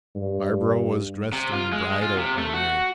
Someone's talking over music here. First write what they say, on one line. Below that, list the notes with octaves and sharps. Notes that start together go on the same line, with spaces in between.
Barbara was dressed in bridal array.
G2
C3
F4
G#3
F4
C3
A3
F#4